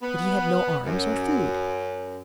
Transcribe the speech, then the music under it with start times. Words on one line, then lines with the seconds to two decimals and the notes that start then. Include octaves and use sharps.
But he had no arms or food.
0.01 B3
0.85 F#2